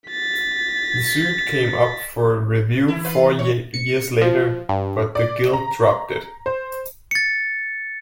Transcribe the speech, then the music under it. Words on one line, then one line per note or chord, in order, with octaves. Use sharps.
The suit came up for review four years later, but the Guild dropped it.
A6 B6
E3 E4
F4 B4
C#5
C#7
F3
G2
D5
A#5
C5
A6 C#7